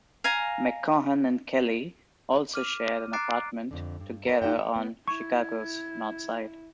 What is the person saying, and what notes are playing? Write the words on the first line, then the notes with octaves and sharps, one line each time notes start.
McCaughan and Kelly also shared an apartment together on Chicago's north side.
F5 G#5 A#5
D6 F6 D#7
A#5 D6 F#6 A6 C7 D7
F2 D3
G2
A#4 D5
D#4 G4 F#5 G5
F#5 G5
B3
E4 C#6 G#6